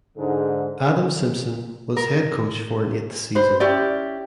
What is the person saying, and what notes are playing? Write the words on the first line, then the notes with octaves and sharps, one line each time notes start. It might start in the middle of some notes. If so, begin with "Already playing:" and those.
Adam Simpson was head coach for an eighth season.
G#2 D3
A#4
B4 C5
C#4 E4 G4 D5